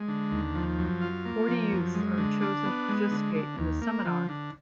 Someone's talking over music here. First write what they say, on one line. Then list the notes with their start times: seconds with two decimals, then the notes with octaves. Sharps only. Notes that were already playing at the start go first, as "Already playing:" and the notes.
Forty youths are chosen to participate in this seminar.
Already playing: G#3
0.08 D3
0.31 D#2
0.55 F3
0.78 F#2
1.01 F4
1.25 A#3
1.48 F3
1.72 F#2
1.95 G#3
2.18 D3
2.41 D4
2.65 B3
2.89 G#3
3.11 D3
3.34 D3
3.58 D#2
3.81 A#3
4.05 F3
4.29 D3